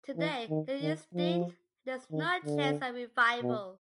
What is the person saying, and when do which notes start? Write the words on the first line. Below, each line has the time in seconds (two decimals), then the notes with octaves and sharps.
Today they are extinct and there is no chance of revival.
0.17 E3
0.49 D#3
0.82 D#3
1.15 F3
2.12 D#3
2.45 D3
3.42 B2